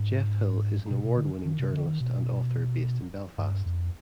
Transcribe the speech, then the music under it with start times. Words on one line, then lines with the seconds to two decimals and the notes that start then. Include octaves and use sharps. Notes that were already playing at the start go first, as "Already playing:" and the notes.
Geoff Hill is an award-winning journalist and author based in Belfast.
Already playing: G#2
0.90 B2
1.04 B2
1.17 D3
1.45 D#3
1.59 C3
1.73 D3
1.86 D#3
2.00 B2
3.38 G2
3.66 F2